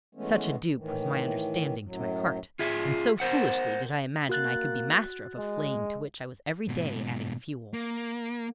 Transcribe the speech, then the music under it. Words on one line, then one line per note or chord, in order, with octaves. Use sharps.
Such a dupe was my understanding to my heart, and so foolishly did I imagine I could be master of a flame to which I was every day adding fuel.
E3 G#3 A3 B3 C#4
A2 D#3 E3
F#2 A2 F#3
F4 G#4 E5
A#4 C5 F#5
A#3 F#4 F#6 A6
G#3
G#2 B2
A#3